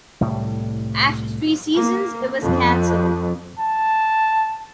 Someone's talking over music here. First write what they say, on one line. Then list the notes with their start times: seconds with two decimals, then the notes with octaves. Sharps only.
After three seasons, it was canceled.
0.21 C2 A2 G3
1.73 A#3
2.45 F2
3.60 A5